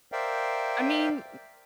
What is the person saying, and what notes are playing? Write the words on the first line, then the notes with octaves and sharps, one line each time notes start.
I mean,
A#4 C5 D5 E5 F5 G5